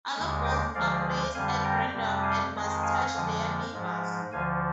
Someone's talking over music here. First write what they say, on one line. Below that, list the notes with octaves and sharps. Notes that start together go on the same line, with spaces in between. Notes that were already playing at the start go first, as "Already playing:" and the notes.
Other balls are placed at random and must touch their neighbors.
D#2 D3 G#3
D#5 G5
D2 D3 F3 G#3 D5 F5
F2 D3 G3 F5 G#5
G5 A#5
F2 C3 G3
F5 G#5
F2 D#3 G#3
F5 G#5
F2 D3 F3 G#3
G#2 F3 G#3
D2 D3 F3 F5 G#5